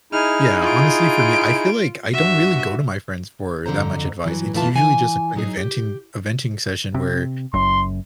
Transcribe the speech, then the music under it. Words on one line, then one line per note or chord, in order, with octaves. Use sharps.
Yeah. Honestly, for me, I feel like I don't really go to my friends for that much advice. It's usually just a quick venting a venting session where
D#4 E4 G#4 F6
F4 D7
G2 F#4 E5
F2 D3 E3 C5 A#5
G2 E3 F#3
F#2 A2 E3 F4 A5
E3 G#5
F#3 D#4 G#4
G4
C3
F#1 F#2 C6